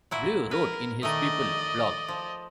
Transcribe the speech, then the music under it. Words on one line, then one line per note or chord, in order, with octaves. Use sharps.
Bleu wrote in his "People" blog.
A#2 E4 F#4
A#4 B4
D#3 A3 D5 D#5
F3